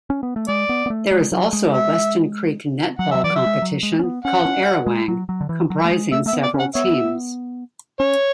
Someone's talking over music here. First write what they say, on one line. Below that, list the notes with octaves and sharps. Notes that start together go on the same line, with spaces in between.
There is also a Weston Creek netball competition, called Arawang, comprising several teams.
C#4
B3
A3
G#3 D5
B3
B3
A3
G#3
F#3
G#3
E5
F#3 F#5
F#3 E5
E3 D5
F#3 E5
G#3
F#3
G#3
C#4
B3
C#4 F#5
C#4
G#3
F#3
F#3
D3
E3
F#3
A3
G#3
A3 E5
A3 E5
B3
D5
C#4
F#5
B3 C#5 E5
C#4 C#5